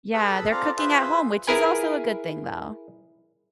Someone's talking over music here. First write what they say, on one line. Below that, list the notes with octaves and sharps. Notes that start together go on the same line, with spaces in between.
Yeah, they're cooking at home, which is also a good thing, though.
G#4 A4 B4 B5 E6
C4 F4 A4 D5 F5 A#5
F4 G#4 B4 C5 E5
E4 G#4 A#4 B4 G#5